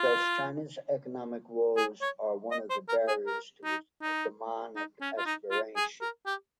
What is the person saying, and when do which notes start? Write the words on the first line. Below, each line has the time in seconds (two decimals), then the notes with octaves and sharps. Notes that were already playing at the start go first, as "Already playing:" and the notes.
Thus, China's economic woes are one of the barriers to its hegemonic aspirations.
Already playing: F4
1.77 G#4
2.02 C#5
2.51 D#5
2.70 C5
2.89 A#4
3.08 G#4
3.26 A#4
3.64 D#4
4.02 D#4
4.76 D#4
5.01 C#4
5.18 F4
5.26 D#4
5.51 F4
5.76 G#4
6.01 A#4
6.27 G4